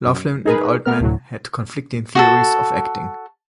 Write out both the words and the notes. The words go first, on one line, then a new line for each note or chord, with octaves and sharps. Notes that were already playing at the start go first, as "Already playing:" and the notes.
Laughlin and Altman had conflicting theories of acting.
F#2
D#4 G#4 A#4 B4
A3 B3 A#4 F6
D2 A2 F#3
F#4 G#4 A4